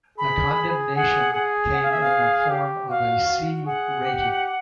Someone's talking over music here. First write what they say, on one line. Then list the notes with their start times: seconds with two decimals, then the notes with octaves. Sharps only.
The condemnation came in the form of a 'C' rating.
0.18 G#4 B5
0.96 G#4 F#5
1.34 G#4
1.73 F#5
1.82 F5
1.91 E5
2.01 F5
2.51 G4
2.89 F#4 F5
3.28 F#4
3.66 G#4 F#5
4.05 G4